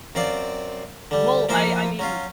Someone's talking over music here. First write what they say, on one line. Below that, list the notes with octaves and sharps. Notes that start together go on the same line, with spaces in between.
Well, I I mean
F#2 C4 F4 D5
D3 G3
F3 A#3 E4 C5
F#3 C#4 F4